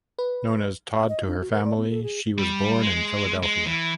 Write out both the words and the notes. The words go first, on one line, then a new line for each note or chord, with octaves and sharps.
Known as "Tod" to her family, she was born in Philadelphia.
B4
D#5
D4
F#4
A#4
D5
B3
A4
G#4
G3
G#3
G#3
E3